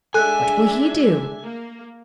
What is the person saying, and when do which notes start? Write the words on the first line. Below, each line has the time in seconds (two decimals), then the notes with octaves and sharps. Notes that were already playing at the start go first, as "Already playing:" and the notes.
"What will he do?"
0.14 G#3 D4 A4 E5 G#5 F#6
1.42 A#3